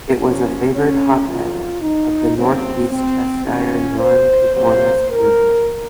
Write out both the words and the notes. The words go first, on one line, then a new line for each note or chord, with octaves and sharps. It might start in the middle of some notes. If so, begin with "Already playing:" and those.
It was a favoured hotbed of the northeast Cheshire Non-conformist movement.
A#2 F3 A#3 C#4
C#4
F2 D#3 F#3 F4
D#4
C#3 F#3 A#3 C4
C4
C3 D#3 A#3 C#4
C5
C3 F#3 A#3 C5
A#4